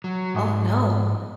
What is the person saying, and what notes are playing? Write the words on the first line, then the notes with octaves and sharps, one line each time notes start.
Oh, no.
F#3
G#2